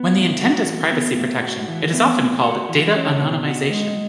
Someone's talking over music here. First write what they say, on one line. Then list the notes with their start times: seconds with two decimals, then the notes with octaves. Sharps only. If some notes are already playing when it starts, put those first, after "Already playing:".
When the intent is privacy protection, it is often called data anonymization.
Already playing: B3
0.15 A2
0.41 F#4
0.66 E3
0.92 B3
1.17 A2
1.42 F#4
1.68 E3
1.93 B3
2.18 A2
2.44 F#4
2.69 E3
2.95 C#4
3.20 B2
3.45 F#4
3.70 G#3